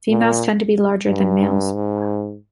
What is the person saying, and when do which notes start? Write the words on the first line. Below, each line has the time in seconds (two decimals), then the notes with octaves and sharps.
Females tend to be larger than males.
0.09 A#2
1.09 G2
1.74 G#2